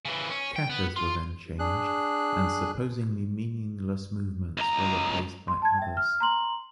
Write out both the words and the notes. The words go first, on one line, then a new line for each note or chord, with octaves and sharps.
Kata’s were then changed, and supposedly “meaningless” movements replaced by others.
C#3 E3
C#4
G5
B3
F4
D4 G#4 F#6
C#2 A#5
C6
A5 G#6
E5 G5
F6
A#5 C6 F#7